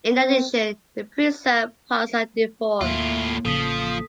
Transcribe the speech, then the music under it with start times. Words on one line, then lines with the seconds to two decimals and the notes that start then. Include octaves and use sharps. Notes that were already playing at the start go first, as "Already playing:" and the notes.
In addition, the preserved parts are deformed.
0.17 C4
2.81 D#2 A2 A#3 F4 E5
3.45 A1 C#3 F3 A4 D#6 B6